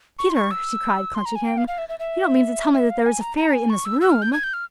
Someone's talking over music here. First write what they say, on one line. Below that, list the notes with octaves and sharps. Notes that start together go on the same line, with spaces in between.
"Peter," she cried, clutching him, "you don't mean to tell me that there is a fairy in this room!"
C#6
C6
C#6
E6
C6
A#5
G#5
G5
F5
F5
E5
E5
E5
E5
F5
G#5
A#5
A#5
G#5
C#6
E6
E6
F6
G6
G#6
G6
F6